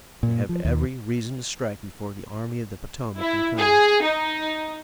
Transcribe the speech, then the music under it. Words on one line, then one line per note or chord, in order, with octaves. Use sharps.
They have every reason to strike before the Army of the Potomac can come.
A#2
F3
D#2
E4
G#4
D#4